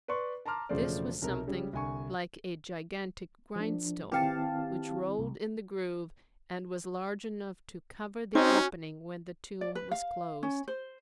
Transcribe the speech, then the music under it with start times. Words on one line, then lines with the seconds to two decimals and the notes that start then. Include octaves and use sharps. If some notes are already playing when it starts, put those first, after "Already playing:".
This was something like a gigantic grindstone which rolled in the groove and was large enough to cover the opening when the tomb was closed.
0.08 B4 D5 C6 C#6
0.46 A5 A#5 C6 D6 F6
0.69 E1 C#3 F3 A3 C5 D5
1.22 B1 C3 A#4
1.48 C#3 G3
1.73 C2 D3 G#5 C#6
3.56 F3 D4
4.12 D#3 C4 E4 G4 B4 F5 G5 A5
5.19 C2
8.35 C4 C#4 D#4 F#4 G#5
9.61 D5
9.75 B4
9.91 F5
10.43 C#4
10.68 C5